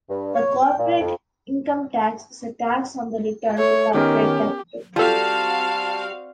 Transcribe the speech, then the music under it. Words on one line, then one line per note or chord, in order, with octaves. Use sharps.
The corporate income tax is a tax on the return to corporate capital.
G2
C#5
G5
A#2
F2
A3 C#5
D#3 B3 C#4 G4 A#4
G3 C4 F4 F#4 A4 F5 A5